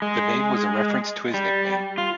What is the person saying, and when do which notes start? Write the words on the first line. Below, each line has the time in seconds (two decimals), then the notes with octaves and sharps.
The name was a reference to his nickname.
0.02 G#3
1.34 G3
1.98 F4